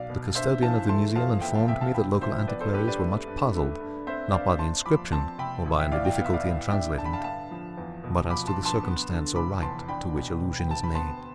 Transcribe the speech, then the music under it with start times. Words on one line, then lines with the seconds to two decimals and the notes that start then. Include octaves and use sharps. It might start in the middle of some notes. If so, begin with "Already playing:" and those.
The custodian of the museum informed me that local antiquaries were much puzzled, not by the inscription, or by any difficulty in translating it, but as to the circumstance or rite to which allusion is made.
Already playing: B1 D5 F5
0.09 B2
0.35 G2 C5 E5
0.62 E3 F5 A5
0.89 A3 A5 C6
1.16 F2 F5 A5
1.41 B3 E5 G5
1.55 F5 A5
1.68 C3 E5 G5
1.81 F5 A5
1.94 G2 G5 B5
2.21 F3 C5 E5
2.47 B3 B4 D5
2.61 A4 C5
2.74 G2 G4 B4
2.87 B4 D5
3.00 A3
3.27 G2
3.54 A3
3.80 G2
4.07 C4 C5 E5
4.33 G2 D5 F5
4.59 D4 A5 C6
4.86 F3 B5 D6
5.12 C4 A5 C6
5.38 C3 G5 B5
5.66 A1
5.78 E5 G5
5.92 A2 D5 F5
6.05 G5
6.15 B3 F5
6.24 E5
6.33 D5 F5
6.44 A2
6.71 D4 E5 G5
6.98 D3 A5
7.05 B5
7.13 F5 A5
7.24 G2 F5 A5
7.51 F3
7.78 E2
8.04 B2
8.30 F3 B5 D6
8.47 A5 C6
8.56 G2
8.65 A5 C6
8.83 B3
9.09 D3
9.35 F1 B5 D6
9.62 E2 A5 C6
9.88 D4 G5 B5
10.15 B2
10.42 E1
10.59 G5
10.68 D2 A5
10.83 B5
10.95 B3 A5 C6